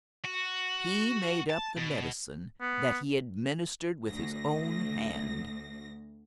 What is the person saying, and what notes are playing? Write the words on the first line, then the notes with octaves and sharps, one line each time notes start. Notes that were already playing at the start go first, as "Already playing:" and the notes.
He made up the medicine that he administered with his own hand.
F#4
A5
B2
B3
D2 A#6